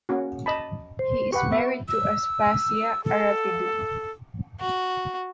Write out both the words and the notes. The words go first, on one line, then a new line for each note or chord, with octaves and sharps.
He is married to Aspasia Arapidou.
A#3 C#4 F#4
D#5 A5 B5
C5
G4 B4 F#5 C#6
B3 B4 E5
E6
A4
F#4